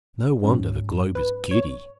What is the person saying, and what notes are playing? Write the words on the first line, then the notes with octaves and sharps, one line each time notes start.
No wonder the globe is giddy!
G#2 F#3 C#4
B4
C#5